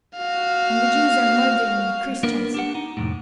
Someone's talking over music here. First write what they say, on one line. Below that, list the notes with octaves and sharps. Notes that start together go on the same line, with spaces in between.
'And the Jews are murdering the Christians.'
F#4 F5
A#3 B3 D4 A#4
D4 G4 F#5
D#4
C2 F2 A2